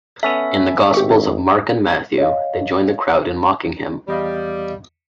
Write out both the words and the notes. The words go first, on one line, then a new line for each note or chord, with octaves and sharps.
In the Gospels of Mark and Matthew, they join the crowd in mocking him.
B3 C#4 A4 E5
G#1 G4 C#6
C#5 D#5 F5
E2 G3 D#5 F5